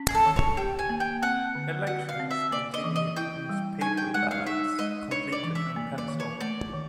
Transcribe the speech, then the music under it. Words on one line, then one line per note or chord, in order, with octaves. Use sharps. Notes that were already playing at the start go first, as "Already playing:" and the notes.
Elections continue to use paper ballots completed in pencil.
Already playing: C#4
G#4
A4
D#3
C#5
G4 G5
G#5
A#3
G5
C4 F#5
D3
F#4 F#5
F5
C4
E5
A#3 D5
D#5
E3
D#5
E4 G5
G3
D#4 G#5
G5
G#3 F#5
F5
D#4 E5
G#3 D#5
D4 C#5
D5
E3
E5
A#3
D5
D#3
C#5
A3 D5
D#3